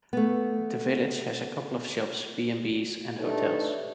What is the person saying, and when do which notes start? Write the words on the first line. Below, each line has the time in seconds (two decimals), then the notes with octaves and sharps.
The village has a couple of shops, B and Bs and hotels.
0.13 A3 B3
3.19 A3 D4 D#4 G4 B4 C#5